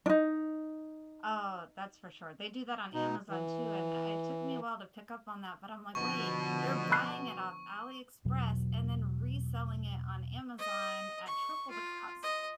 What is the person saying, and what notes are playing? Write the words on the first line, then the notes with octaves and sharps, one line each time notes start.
Oh, that's for sure. They do that on Amazon too, and I it took me a while to pick up on that, but I'm like, "Wait, they're buying it off Ali Express, and then reselling it on Amazon at triple the cost."
D4 D#4
B2 D#4
E3
B2 D3 F3 B3 C#6
B5 F#6 C7
E2 B2 F#3
D#5
C#6
F4
D#5